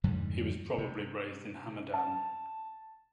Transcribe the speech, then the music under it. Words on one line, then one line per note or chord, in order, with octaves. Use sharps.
He was probably raised in Hamadan.
F2 G#2 D3 G3
C3
A5